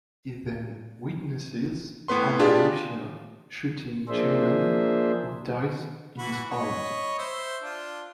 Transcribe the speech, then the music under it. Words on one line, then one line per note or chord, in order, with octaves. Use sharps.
He then witnesses Ana Lucia shooting Shannon, who dies in his arms.
A2 B3 B4 C6
D4 F4 G4 G#4
F3 A#3 D4 G#4 C5 E5
E3 F#4 B5
C#5 D#5 B5
C5 E5
D4 F4